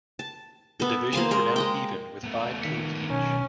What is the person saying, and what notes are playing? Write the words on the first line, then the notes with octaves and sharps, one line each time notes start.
The divisions were now even with five teams each.
A5
B3 A4
A#3 C5 F5 G#5
G#3 A#4
G#3 D#5 G5
A3 B3
D#3 B6 C#7
B1 C#4